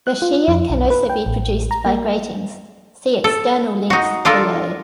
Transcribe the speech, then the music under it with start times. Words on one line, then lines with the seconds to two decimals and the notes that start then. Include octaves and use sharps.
The shear can also be produced by gratings, see "External Links" below.
0.07 F#6
0.22 F4
0.48 F2
0.70 B1
0.90 B4
1.09 G5
1.26 A1
1.71 A#5
1.86 A#3
3.24 A4
3.90 D#4 F#4
4.25 D4 F4 A4 A#4